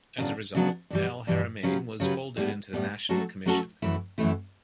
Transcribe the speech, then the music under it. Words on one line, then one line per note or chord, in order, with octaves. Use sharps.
As a result, Al-Haramain was folded into the National Commission.
C#3 F#3 B3 D4
C#3 F#3 B3 D4
G2 E3 G3
G2 E3 G3
C#3 F#3 C#4 G4 B4
C#3 F#3 C#4 G4 B4
A2 G3 B3
A2 G3 B3
F#3 A3 C#4 F#4 A4
F#3 A3 C#4 F#4 A4
F#2 E3 A3 E4
F#2 E3 A3 E4